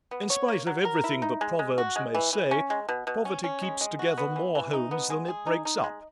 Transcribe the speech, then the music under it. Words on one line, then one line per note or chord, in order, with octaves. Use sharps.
In spite of everything that proverbs may say, poverty keeps together more homes than it breaks up.
B3
C#5
A#3
F#3
A#4
E4
D#4
G#3
G#3
F#4
G#3
E3
E3
C#4
G#3
B2
B2
C#4
C#4
G#3
G#3
F#4
B3
E3
E3
D#4
B3
G#3
G#4
D#4
D#4
G#3